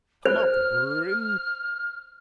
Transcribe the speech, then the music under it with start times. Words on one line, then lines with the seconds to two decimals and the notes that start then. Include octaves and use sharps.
Come up, Bruin!
0.25 C5 F6